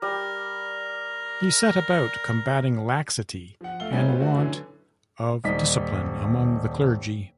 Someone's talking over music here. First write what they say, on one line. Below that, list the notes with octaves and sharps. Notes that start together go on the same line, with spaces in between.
He set about combating laxity and want of discipline among the clergy.
G3 A#4
F3 F#5
A3 A4 F5 G7
G3 A3 C4 C#4 D#4 E4
F4 G4 B4 C5
A3 F#4
D3 E3 F#3 C#4
D#1 G3 D#4 B6